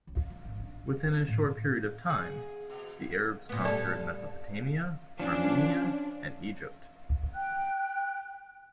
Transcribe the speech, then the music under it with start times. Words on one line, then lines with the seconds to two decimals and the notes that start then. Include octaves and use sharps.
Within a short period of time, the Arabs conquered Mesopotamia, Armenia and Egypt.
0.07 C#2
0.30 C#2
0.45 G#1
0.60 D3
0.83 E3
1.06 C#4
1.28 A2
2.09 G#4
2.70 B2
3.49 A#2 B3
3.65 G3 A4 D5
5.20 F3 C#4 D4
7.34 G5 F#6